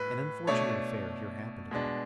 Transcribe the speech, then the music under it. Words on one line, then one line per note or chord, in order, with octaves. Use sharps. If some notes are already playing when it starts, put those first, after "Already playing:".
An unfortunate affair here happened to them.
Already playing: A2 B4
B2 A3 D4 C#5
B2 G#3 B3 D4